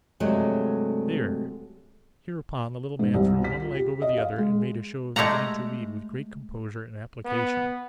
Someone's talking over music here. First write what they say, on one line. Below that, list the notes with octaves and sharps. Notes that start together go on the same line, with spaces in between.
There!' Hereupon, the little man threw one leg over the other, and made a show of beginning to read with great composure and application.
G2 C3 F#3 G#3 A3
G#2
C2
B6
F4
G4
D#5
F5
G#3
G#3 A3 G4 F#5 A#5
B3